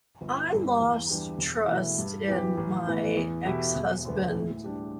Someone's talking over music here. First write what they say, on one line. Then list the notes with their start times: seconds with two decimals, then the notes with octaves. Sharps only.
I lost trust in my ex-husband
0.21 G1
0.51 G2 D3
0.80 E2
1.09 E3 G3 D4 G4
1.39 E1
1.68 E2 B2 A3 E4
1.98 G2
2.28 E3 B3 G4
2.58 A1
2.87 A2 E3 B3
3.17 E2
3.45 B2 A3 E4 G4
3.76 E1
4.05 D2 D3 B3
4.35 A2
4.64 G3 D4 G4